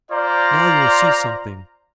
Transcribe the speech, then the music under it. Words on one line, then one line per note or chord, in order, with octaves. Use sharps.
Now you will see something.
F4 C5 D5 A#5